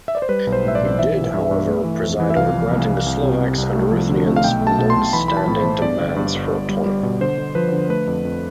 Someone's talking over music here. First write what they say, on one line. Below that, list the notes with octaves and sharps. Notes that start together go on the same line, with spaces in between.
He did, however, preside over granting the Slovaks and Ruthenians' longstanding demands for autonomy.
E5
D5
C5
G3 B4
B1
C5
A2 E5
D5
B1
E3 E5
E3
G2
G2
A3
E3
F2
E3
E5
C2 F5
F3
C2
C2
C2
C3
C3
C2
A3
F3
D3
A3
F5
B1 G5
A3
A5
B2
C6
B1
E3 B5
E3 B5
A5
A2
C5
A2
G2 D5
G1
G2
G1
G3
G3
G3
B2
D3 C5
D3
F3 B4
D3
A3 B4
F2
F2